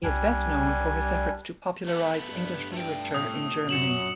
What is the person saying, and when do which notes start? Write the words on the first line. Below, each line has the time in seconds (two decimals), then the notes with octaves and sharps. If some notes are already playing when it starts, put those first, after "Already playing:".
He is best known for his efforts to popularize English literature in Germany.
0.03 C2 G3 D4 G#5
1.87 A3 B3
2.29 G2 G3
2.73 A3 G5
3.15 A2 C3 C4 D#6
3.69 F#2 A#2 F#3 C#7 E7 F#7